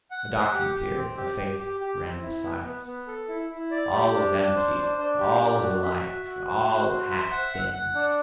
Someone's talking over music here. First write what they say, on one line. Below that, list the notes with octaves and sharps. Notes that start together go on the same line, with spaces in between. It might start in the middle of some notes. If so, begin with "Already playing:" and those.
A doctrine appeared, a faith ran beside it: 'All is empty, all is alike, all hath been!'
F#5
F#5
G4
G4
C4
G4
G4
G4
G4
C4
E4
B3
B3
B3
A4
E4
E4
D5
G4
D4
D4
C5
D4
D4
G4
D4
F#4
E5
F#4
F#4
C5
F#4
C5
E5
F#5
F#5
F#5
D4